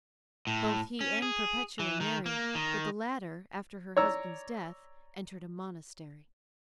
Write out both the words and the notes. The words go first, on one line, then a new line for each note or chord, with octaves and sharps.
Both he and Perpetua married, but the latter after her husband's death entered a monastery.
A2
C#4
G#4
E3
D#3
A#3
D#3
C#5 D5 A#5 E6